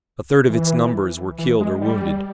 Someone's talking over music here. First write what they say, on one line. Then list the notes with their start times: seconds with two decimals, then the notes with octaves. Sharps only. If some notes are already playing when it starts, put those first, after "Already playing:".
A third of its numbers were killed or wounded.
0.50 E3
1.38 E3
1.60 G#3
1.81 G3